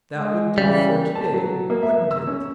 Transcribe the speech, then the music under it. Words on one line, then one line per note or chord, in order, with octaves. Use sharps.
That would do for to-day, wouldn't it?
G#3
C#3 E3 G3
A5
F#3
A#3
E5
E6
C#4